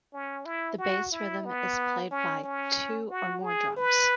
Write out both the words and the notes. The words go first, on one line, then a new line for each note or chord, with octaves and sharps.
The base rhythm is played by two or more drums.
C#4
E4
F#4
E4
B3
C#4
C#4
F#4
G#4
B4